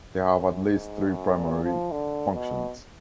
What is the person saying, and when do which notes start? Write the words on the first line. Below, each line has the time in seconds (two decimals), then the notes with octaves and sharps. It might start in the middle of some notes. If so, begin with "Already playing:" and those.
They have at least three primary functions.
0.23 F#2
0.66 G#2
1.07 F#2
1.36 A#2
1.64 F3
1.91 D3
2.35 B2